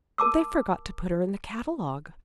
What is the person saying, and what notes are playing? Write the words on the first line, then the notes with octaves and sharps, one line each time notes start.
"They forgot to put her in the catalogue."
A#4 A5 D6 E6